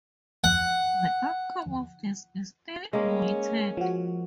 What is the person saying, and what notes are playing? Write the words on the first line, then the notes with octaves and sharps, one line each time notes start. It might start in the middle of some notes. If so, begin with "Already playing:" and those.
The outcome of this is still awaited.
F#5
G#3 A#3 C#4
F3 F#4